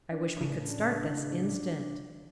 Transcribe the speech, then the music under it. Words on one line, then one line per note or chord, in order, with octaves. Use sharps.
"I wish we could start this instant."
D4
A2 C#3 D4